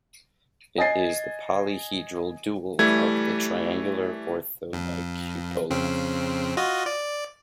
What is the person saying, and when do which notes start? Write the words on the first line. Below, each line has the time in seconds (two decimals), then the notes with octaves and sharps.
It is the polyhedral dual of the triangular orthobicupola.
0.78 D#5 G#5 A6 C7
2.79 E3 G3 A3 G#6
4.73 F2
5.70 F2 C#3 C4
6.57 F4 F#4 D#5
6.86 D5